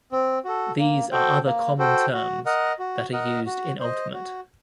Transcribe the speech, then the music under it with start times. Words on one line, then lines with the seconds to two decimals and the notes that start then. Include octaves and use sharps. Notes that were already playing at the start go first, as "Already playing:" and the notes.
These are other common terms that are used in Ultimate.
0.12 C4
0.45 F#4 A4
0.78 A#3
1.12 F#4 A4 C5 G5
1.45 A#3
1.79 F#4 A4 C5 G5
2.13 F#4
2.46 A#4 D#5 F#5
2.79 F#4
3.13 A#4 D#5 F#5
3.46 F#4
3.80 C5 D#5
4.14 F#4